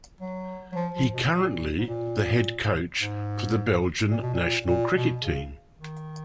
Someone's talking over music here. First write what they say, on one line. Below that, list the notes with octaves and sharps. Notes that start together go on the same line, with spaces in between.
He currently the head coach for the Belgian national cricket team.
F#3
F#3
F3
F3
B2
A#2
G#2
A#2
G#2
A#2
B2
A#2
A#2
B2
C#3
D#3